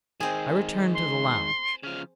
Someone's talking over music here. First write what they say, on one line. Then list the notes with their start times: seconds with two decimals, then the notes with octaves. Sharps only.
I returned to the lounge.
0.20 D#3 G#3 C4 G#4
0.94 C6
1.83 C#3 F3 F6